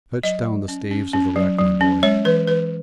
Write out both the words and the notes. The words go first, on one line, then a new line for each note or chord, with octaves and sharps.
Fetch down the staves of the rack, my boy.
F#3 D#5
F#3
C#4
C#4
C#4
F#3
F#3
C#4
G#3 C#5
E3 B4
E3 B4